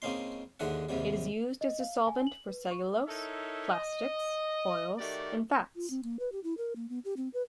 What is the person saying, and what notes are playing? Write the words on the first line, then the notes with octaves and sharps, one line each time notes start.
It is used as a solvent for cellulose, plastics, oil and fats.
C#2 A#3 C4 C#4 D#4 C6
D#2 G#2 D3 G#3 E5 F#5
D#2 G#2 C3 G3
D#5
F5
G#5
F#7
B4
C#6
D#4 E4 A4 A#4 C#5 E5
D#5
D#3 A3 F#4 G4 A#4 D5
F4
C4
A#3
B4
G4
E4
A#4
A#3
B3
G4
C4
B4